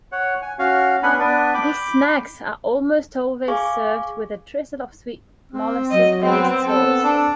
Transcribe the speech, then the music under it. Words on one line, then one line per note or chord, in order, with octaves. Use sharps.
These snacks are almost always served with a drizzle of sweet molasses-based sauce.
C#5 F#5
G#5
C#4 F#4 F5
B3 C#4 D4 F#5 G#5 B5
B3 D4 B4 D5
G5 B5 D6
G#4 F5 G#5 C#6 D6
C4
F#3 D#5
B3 C4
B3 C4 A4
D4